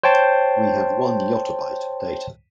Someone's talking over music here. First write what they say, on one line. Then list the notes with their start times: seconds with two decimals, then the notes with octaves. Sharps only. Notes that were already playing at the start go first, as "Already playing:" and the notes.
We have one yottabyte of data.
0.03 C5 C#5 G5 A5 C6